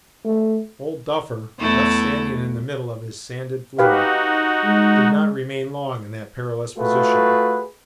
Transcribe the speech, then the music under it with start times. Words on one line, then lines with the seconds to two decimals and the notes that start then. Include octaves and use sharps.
"Old Duffer," left standing in the middle of his sanded floor, did not remain long in that perilous position.
0.25 A3
1.59 E2 A3 E4
3.79 D#4 F#4 G4 B4 F5
4.64 G#3
6.78 A3 F4 F#4 G#4 B4